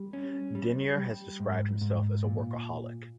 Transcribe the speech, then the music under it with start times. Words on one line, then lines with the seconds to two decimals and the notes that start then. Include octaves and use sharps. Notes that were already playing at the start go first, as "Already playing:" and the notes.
Denyer has described himself as a "Workaholic".
Already playing: G3
0.13 C#4
0.55 G3
0.98 G3
1.40 G#2
1.81 G#2
2.23 A#2